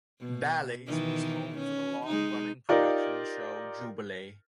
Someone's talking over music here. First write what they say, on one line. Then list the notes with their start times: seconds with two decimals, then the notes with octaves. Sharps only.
Bally's was home for the long-running production show Jubilee!
0.20 B2
0.86 B2 D#3 E3
1.58 C#4
2.07 G#3 D#4
2.69 D#4 F4 G4 A#4 D5